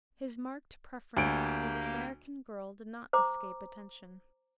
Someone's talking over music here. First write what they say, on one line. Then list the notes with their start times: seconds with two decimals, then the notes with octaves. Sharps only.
His marked preference for the American girl did not escape attention.
1.17 D2 A#3 G4 D7
3.13 C5 A#5 D6